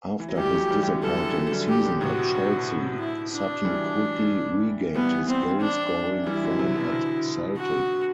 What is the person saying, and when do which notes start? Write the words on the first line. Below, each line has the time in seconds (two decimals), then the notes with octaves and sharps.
After his disappointing season at Chelsea, Sutton quickly regained his goal-scoring form at Celtic.
0.20 E3
0.29 F#3
0.38 E3 G3 G4
0.54 F#3 A3
0.71 E3 G3
0.87 D3 F#3
1.03 E3 G3 A4
1.19 E3 G3
1.36 D3 F#3
1.52 E3 G3
1.69 D3 F#3 G4
1.85 B2 D3
2.01 A2 C3 F#4
2.18 B2
2.34 B2
2.46 A2
2.57 B2
2.99 E4
3.33 D4
3.65 E3 G3
4.96 E3 G3 B3
5.28 C4
5.60 D4
6.26 E3 G3 E4
6.43 D3 F#3
6.59 C3 E3
6.75 B2 D3
6.92 B2 D3
7.57 F#4